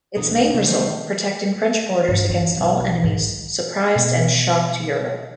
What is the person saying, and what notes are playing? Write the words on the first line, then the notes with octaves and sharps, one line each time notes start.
Its main result, protecting French borders against all enemies, surprised and shocked Europe.
B2 E3 D4 F#4
C2
C3 F#3 B3
D#3 E3 G3 A3 B3 C5
G2
C#4
B1
G#2
B2